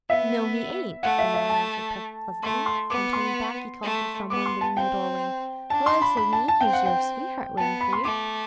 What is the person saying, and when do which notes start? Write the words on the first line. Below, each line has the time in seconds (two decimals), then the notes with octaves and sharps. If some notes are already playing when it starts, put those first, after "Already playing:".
'No, he ain't,' the man answered pleasantly; and turning back, he called to some one within the doorway; 'Hello, Sidney! here's your sweetheart waiting for you.'
0.10 B3 E5
1.03 A3 F#5
1.19 E5
1.34 E5
1.50 A5
2.43 A3 C6
2.66 C6
2.90 B3 D6
3.13 C6
3.83 A3
4.30 B3 D6
4.46 C6
4.61 A5
4.76 C4 G5
5.70 D4 A5
5.86 C6
6.02 B5
6.17 B5
6.33 A5
6.48 A5
6.61 C4 G5
6.73 F#5
6.86 G5
7.57 B3 A5
7.81 B5
7.93 C6
8.04 A3 D6